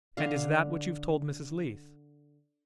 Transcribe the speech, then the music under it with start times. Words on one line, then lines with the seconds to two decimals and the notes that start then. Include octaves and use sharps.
"And is THAT what you've told Mrs. Leath?"
0.17 D3 F5